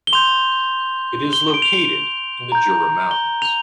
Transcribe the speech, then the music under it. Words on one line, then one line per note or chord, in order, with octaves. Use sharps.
It is located in the Jura mountains.
G7
C6 G6 F7
G7
D7
F7
A#5 G6
G7
F7